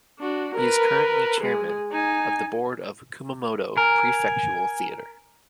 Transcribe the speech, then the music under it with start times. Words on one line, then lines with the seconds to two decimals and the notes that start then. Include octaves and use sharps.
He is currently Chairman of the Board of Kumamoto Prefectural Theatre.
0.20 D4 F#4
0.56 A#4 B4
1.41 G#3 G#4
1.92 D#4 G#5
3.77 A#4 G#5